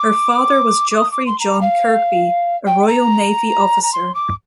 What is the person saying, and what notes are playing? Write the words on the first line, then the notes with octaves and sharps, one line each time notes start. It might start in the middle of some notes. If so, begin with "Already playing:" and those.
Her father was Geoffrey John Kirkby, a Royal Navy Officer.
Already playing: D6
D6
D#6
D6
C6
A#5
F5
G5
A#5
A#5
C6
D6